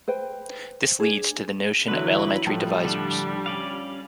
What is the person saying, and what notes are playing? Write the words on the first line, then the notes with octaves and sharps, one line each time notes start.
This leads to the notion of elementary divisors.
B4 C5 G5
D4 G#4
D3 E3 F#3 E4 B4
A2 F3 G3 A3
D3 D4
C#4 D5 F5